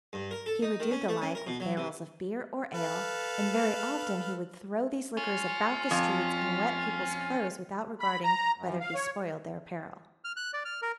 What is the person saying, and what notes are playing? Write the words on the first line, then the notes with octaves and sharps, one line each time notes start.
He would do the like with barrels of beer or ale; and very often he would throw these liquors about the streets, and wet peoples' clothes without regarding whether he spoiled their apparel.
G2
A#4
A4
D#4
D#3
C#4
A3
C#4
A#4
B2
F#3
C3
A4 B4 F5
C#4 F4
F2
B5
A#5
F#2
F5
C#5
F6
F#6
D5
F6
A#4